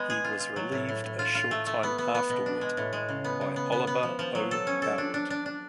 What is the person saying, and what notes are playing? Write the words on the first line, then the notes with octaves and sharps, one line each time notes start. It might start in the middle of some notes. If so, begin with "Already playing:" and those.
He was relieved a short time afterward by Oliver O. Howard.
Already playing: G#3 B3
G#4
F4
F4
F#3
A2
A2
A2
F4
F4
A3
A3
B3
B3
B3
B2
D4
G#3
A2
G#3
C#3
B3
C#3
B3
B3
B3
F3
F3
F#3
A4
C#4
A4
D4
D4
D4
D4